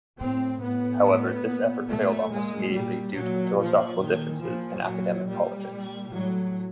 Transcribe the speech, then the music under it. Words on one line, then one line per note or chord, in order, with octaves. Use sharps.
However, this effort failed almost immediately due to philosophical differences and academic politics.
A2 C4
A2 B3
A2
A#2
A#2 A3
A#2 G#3
A#2 G3
A#2 F#3
A#2 F3
A#2 D#3
A#2 F3
A#2 F#3
A#2 G3
A#2
A2 F#3